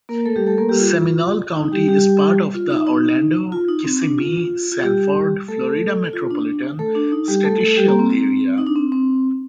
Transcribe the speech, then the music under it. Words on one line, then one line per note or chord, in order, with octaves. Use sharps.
Seminole County is part of the Orlando-Kissimmee-Sanford, Florida Metropolitan Statisticial Area.
A#3 A#4
A3 A4
G3 G4
A3 A4
A#3 A#4
G3 G4
F4
D#4
G3 G4
G3 G4
F4
D#4
D#4
F4
D#4
C4
D4
F4
F4
G3 G4
A3 A4
F4
D4
A3 A4
D4
D#4
G3 G4
A3 A4
A3 A4
G3 G4
A#3
C4
C4
D#4
D4
C4
C4